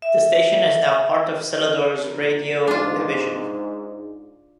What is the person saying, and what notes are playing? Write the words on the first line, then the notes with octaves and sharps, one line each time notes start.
The station is now part of Celador's radio division.
E5
A#1 D4 A#4
G#2 D4 F4